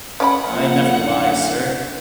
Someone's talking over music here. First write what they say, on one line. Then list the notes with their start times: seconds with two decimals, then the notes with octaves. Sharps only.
I never lie, sir.
0.20 C#4 D5 F#5 B5
0.51 F3 A#3
0.87 F#2 D3 E4